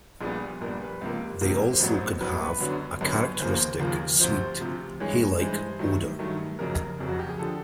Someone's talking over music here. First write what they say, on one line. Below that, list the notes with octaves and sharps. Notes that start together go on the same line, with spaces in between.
They also can have a characteristic sweet, hay-like odor.
A#1 A#2 G3 B3 G#4
A#1 A#2 G3 B3 A#4
B4
C#2 C3 F3 A#3
C#2 C3 F3 A#3
C5
A1 A2 F#3 B3 B4
C5
A1 A2 F#3 B3 B4
B4
F#2 D3 F#3 B3
F#2 D3 F#3 B3
B4
D#2 C#3 F3 A#3 C5
D#2 C#3 F3 A#3
D2 C3 F3 C5
D2 C3 F3
G2 E3 G#3 C#5
G2 E3 G#3 C5
G2 D#3 F#3 A3
G2 D#3 F#3 A3
F1 F2 C#3 F#3 A#4
F1 F2 C#3 F#3
F#4
G4
G#4
D3 F3 A4